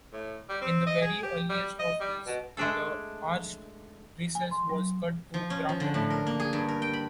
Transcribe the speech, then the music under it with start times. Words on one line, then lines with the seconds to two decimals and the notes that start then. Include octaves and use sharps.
In the very earliest of these, the arched recess was cut to ground level.
0.13 A2
0.49 G3
0.62 C4
0.87 D#5
1.02 G#4
1.23 G4
1.49 G3
1.79 D#5
2.01 G3
2.26 B2
2.57 G#3 A3 D4 G#4 A4
4.35 G#5
4.51 C6
4.70 F#3
5.34 F3
5.50 C#4
5.69 F3
5.80 D3
5.94 A2
6.10 A#4
6.27 A#3
6.40 G#4
6.53 G2
6.68 A#4
6.82 G5
6.93 B5